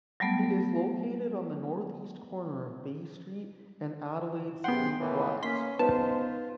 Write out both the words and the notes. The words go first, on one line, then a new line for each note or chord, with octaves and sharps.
It is located on the northeast corner of Bay Street and Adelaide Street West.
F#3 G3 A3 B3
F#2 C3 B3 G#4 F#5 G5 C6
D#2 A2 E3 B4
A#3 C#4 C6 B6
C#2 B3 D#4 F4 C5 A5